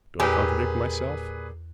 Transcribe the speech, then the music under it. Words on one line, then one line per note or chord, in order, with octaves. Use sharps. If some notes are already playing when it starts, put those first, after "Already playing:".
Do I contradict myself?
E2 A#2 G4 G#4 B4